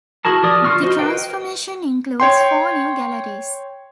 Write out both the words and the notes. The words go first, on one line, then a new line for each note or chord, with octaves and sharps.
The transformation includes four new galleries.
E4 F#4 G#4 A#4 A5
F3 G4 A#4 D5 D#6
D3 F4 C#6 F6
F#4 C5 D#5
A#4 B4 D#5 F5 G5
C#5 G5 C6